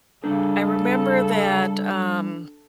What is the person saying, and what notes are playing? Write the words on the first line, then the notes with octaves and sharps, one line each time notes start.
I remember that, um
C#3 G3 D4 A4 A#4